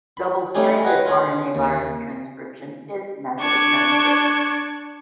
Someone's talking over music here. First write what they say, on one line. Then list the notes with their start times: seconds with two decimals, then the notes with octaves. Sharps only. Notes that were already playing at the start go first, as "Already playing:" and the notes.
Double-stranded rna virus transcription is the method of transcription.
0.17 B5
0.55 G3 A3 C#4 D#4 G4 G#4
0.83 B4 C#5 D#5 F#5 G5 A#5
1.06 F4 G#4 C#5
1.55 D#2
3.40 D4 C#6 G#6